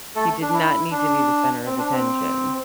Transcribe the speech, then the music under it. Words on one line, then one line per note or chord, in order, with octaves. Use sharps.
He did not need to be the center of attention.
A3 A4
D4
E4
D4
C4
D4
C4